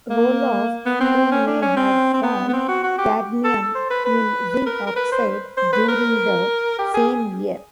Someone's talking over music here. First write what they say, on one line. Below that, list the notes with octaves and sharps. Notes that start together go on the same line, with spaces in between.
Roloff who may have found cadmium in zinc oxide during the same year.
A#3
B3
C4
C#4
D4
C#4
C4
C4
B3
B3
C4
F#4
F#4
G4
A4
C5
B4
B4
A#4
A#4
B4
C5
C5
B4
A#4
G4
G#4